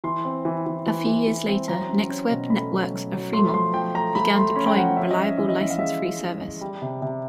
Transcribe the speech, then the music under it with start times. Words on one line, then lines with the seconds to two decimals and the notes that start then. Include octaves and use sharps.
A few years later NextWeb Networks of Fremont began deploying reliable license free service.
0.04 E3 C6
0.25 C4
0.45 E3
0.66 E3
0.86 E3
1.06 E3
1.27 E3
1.47 C4
1.68 F#3 A#5
1.88 C#4
2.09 C#4
2.31 B2
2.50 A3 B5
2.72 F#3
2.92 F#3
3.13 F#3
3.33 A3 C6
3.54 F3 C6
3.73 F3 G5
3.94 A3 A#5
4.15 A3 B5
4.36 A3 C6
4.55 C#4 B5
4.67 G5
4.76 F3 F#5
4.97 C#4 E5
5.11 D#5
5.18 C#4
5.23 E5
5.38 E3 E5
5.49 D#5
5.59 E3 E5
5.70 F5
5.79 G#3 E5
6.00 C#4
6.20 G#3
6.41 G#3
6.61 G3
6.82 C3
7.02 C3